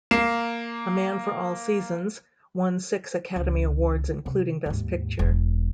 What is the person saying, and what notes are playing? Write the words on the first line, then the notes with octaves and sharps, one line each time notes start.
"A Man for All Seasons" won six Academy Awards, including Best Picture.
A#3 C7 E7
C#2
C3
D#2 G#2
E1